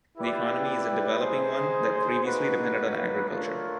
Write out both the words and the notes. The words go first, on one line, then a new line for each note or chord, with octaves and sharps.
The economy is a developing one that previously depended on agriculture.
E4 G4 B4 D5 G5
D#4 G#4 C5
A#3 D#4 F#4 B4
A3 D4 F4 A#4 C#5